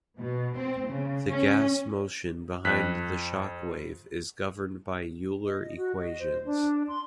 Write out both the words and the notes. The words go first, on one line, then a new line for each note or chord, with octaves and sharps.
The gas motion behind the shock wave is governed by Euler equations.
B2
C4
C#3
C#4
F2 F#6 B6
D#5
F#4
D#5
C5
D4
C6